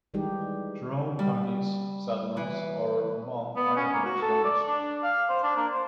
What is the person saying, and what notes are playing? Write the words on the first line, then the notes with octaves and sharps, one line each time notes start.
Jerome county's settlements are among Idaho's youngest.
D#3 E3 G3 G#3 D#4 G4
G3
E3
B3
C#4
A#3
F#4
A4
D5
D4
F5
C5
D4
A#3
C5